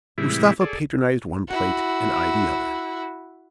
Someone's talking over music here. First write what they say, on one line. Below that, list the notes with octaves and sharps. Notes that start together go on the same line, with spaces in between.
Mustapha patronized one plate, and I the other.
A2 C3 E3 G3 G#3 E4
G#4 A4 D5
E4 F#4